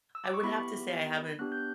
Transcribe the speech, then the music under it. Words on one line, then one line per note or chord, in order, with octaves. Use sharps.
I would have to say I haven't
E6
D6
C#6
B3 E4 G4 B5
B3 D4 G4 F#6
G6